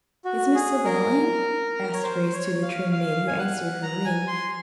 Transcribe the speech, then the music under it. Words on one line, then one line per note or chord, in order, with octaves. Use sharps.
"Is Miss Savell in?" asked Grace to the trim maid who answered her ring.
F#4
G#4
A#4
C#5
C5
C#5
F5
F5
G#5
F#5
A#5
G#5
C6